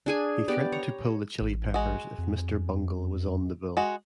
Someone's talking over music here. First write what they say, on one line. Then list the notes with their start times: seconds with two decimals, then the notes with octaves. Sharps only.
He threatened to pull the Chili Peppers if Mr. Bungle was on the bill.
0.06 D4 G#4 G#5
0.48 B3 G4 D5
0.72 C#5 A#5
1.41 A1
1.74 G#3 F#4
2.18 F2
3.77 G#3 F#4